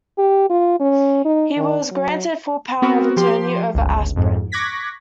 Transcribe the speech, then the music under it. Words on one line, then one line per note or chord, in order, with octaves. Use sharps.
He was granted full power of attorney over Aspirin.
G4
F4
C#4
D#4
D#3
F#3
B3 C4 F#4 A#4
F3 G4 C6
G1 C#2
F2 G#2
C#6 D6 F#6 G#6 A#6 B6